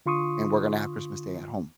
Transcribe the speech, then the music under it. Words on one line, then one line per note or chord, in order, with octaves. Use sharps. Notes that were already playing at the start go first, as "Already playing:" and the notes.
and we're gonna have Christmas Day at home.
D3 F4 C6 C#6 D#6